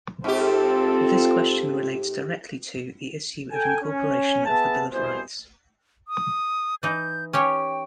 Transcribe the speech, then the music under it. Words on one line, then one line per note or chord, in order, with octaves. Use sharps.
This question relates directly to the issue of incorporation of the Bill of Rights.
G#2 C4 F4 G4 A4
A4 G5 G#5
C#4
B3 G#4 E5 A5
C2 B2 E4 G#4 C5
D#6
E3 D#4 G6
C#4 G4 C#5 G5